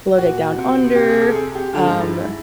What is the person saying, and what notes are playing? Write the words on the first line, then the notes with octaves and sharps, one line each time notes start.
Below Deck Down Under, um,
A#2 F#4
C3
G4
G#4
A4
G#4
G4
D3 F4
G#2 D#4
G2 E4
G#2